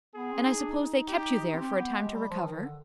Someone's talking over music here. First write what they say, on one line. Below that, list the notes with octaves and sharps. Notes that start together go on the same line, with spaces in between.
"And I suppose they kept you there for a time to recover?"
B3 G#4
C4
D#4
D4
D#4
G4
C4 G4
B3
G#3
G3
F3
D#3
D3